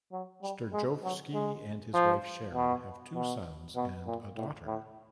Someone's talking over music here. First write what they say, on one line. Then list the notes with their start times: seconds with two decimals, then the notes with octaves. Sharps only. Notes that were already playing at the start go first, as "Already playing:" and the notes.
Sterjovski and his wife Sharon have two sons and a daughter.
0.12 F#3
0.42 G3
0.73 G#3
1.03 F#3
1.33 G#3
1.94 F3
2.55 B2
3.15 B2
3.76 B2
4.06 A#2
4.36 A2
4.66 A2